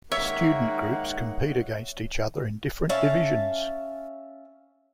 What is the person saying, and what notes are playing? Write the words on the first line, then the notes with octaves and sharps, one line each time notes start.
Student groups compete against each other in different divisions.
D#3 G#3 A#3 D#4 C#5 E5 F#5
C#4 E5 F5 A5